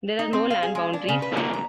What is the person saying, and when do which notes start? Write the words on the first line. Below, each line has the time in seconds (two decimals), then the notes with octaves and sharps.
There are no land boundaries.
0.19 D#4
0.33 C4
0.50 F5
0.63 G#4
0.75 G#3
0.93 D4
1.08 C#3
1.22 B4
1.37 A#3
1.53 A#5